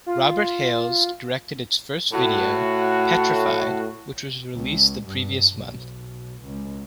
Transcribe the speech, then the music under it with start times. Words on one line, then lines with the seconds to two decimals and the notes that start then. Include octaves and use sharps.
Robert Hales directed its first video "Petrified", which was released the previous month.
0.06 F4
2.12 A2 F#4
4.53 C#2
5.04 G2
5.56 B1
6.43 C#2